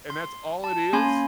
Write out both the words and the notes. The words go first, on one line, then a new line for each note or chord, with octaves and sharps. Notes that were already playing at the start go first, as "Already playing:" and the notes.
and that's all it is.
C6
A5
A#3 C#4 G#5 B5 C6